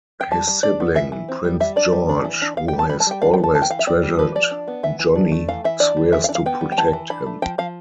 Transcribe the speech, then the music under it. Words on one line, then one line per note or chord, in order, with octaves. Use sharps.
His sibling, Prince George, who has always treasured Johnnie, swears to protect him.
G5
G3 A5
G3
D4 D5
B3
E3 E5
E3
C4
G3
G3 E5
D4 D5
G3
D4
E3
D4
B3 F5
G5
G3
A5
G3 B5
A5
G3 G5
D4 F5
G5
B3
A5
E3 A5
G5
E3 F5
E5
C4 D5
G3
F3 B4
F3 D5
D4
B3
E3 E5
E3
D4
A3
E3 F5
E3 E5
D4 D5
G3
E3 E5
F5
D4
F5
B3 G5
G3
G5
E3 A5
E3
D4 B5
A3
F3 G5
F3 F5